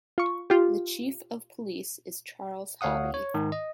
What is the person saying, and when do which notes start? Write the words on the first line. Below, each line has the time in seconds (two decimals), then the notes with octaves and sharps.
The Chief of Police is Charles Hobby.
0.18 F4 C#6
0.50 F4 G4
2.81 D2 C#5 F5 F#5 D#6
3.14 C#5
3.34 G#2 D#3
3.52 D#5